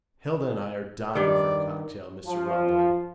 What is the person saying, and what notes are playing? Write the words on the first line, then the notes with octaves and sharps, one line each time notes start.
"Hilda and I are dying for a cocktail, Mr. Romilly."
G2 D#3 D5
F3